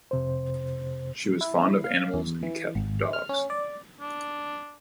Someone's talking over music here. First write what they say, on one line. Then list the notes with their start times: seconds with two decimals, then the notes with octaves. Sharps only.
She was fond of animals and kept dogs.
0.11 F2 C3 C5
1.41 E4
1.84 F5
2.14 E2
2.43 E3
2.75 G#1
3.13 F6
3.29 C#4
3.50 D5
4.00 D4